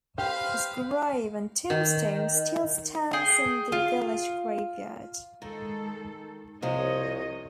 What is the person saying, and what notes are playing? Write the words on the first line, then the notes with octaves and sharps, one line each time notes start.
His grave and tombstone still stands in the village graveyard.
G4 B4 C5 F5
D#3
G#4 G5
F4
D#3 G#3 A4
C2 C3 F3 C#5 D#5